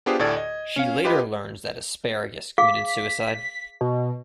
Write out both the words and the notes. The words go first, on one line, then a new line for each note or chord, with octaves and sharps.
She later learns that Asparagus committed suicide.
B3 D4 F4 G4 G#4 C5
D2 A2 A4 D5 G#6
D#5
C#4 F5
F4 G4 B4 D#5 B5
G#4 F5 D6 B6
B2